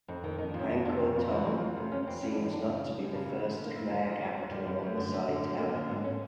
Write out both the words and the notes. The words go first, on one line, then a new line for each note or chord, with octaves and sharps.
Angkor Thom seems not to be the first Khmer capital on the site, however.
F2 D#4
D#3 D#4
D#3 D#4
D4
F2
C#4
F2 D#4
F2 D4
C3 C4
F2
E3 C#4
F2 A3
F2 G#3
C3 A3
F2 C#4
E3 C4
E3 C#4
D4
F#2
D#4
F#2 D4
D4
C#3
D#4
F#2
F#2
C#3 D4
E3 C4
D3
B3
D3 A#3
F2 A3
D3 F#3
D3 F3
F2
F2 F#3
D3 G3
F#2 G3
G3
F#2 A3
D3
F#2
D3
F#2
D3 A#3
D3
G#2 B3
C#4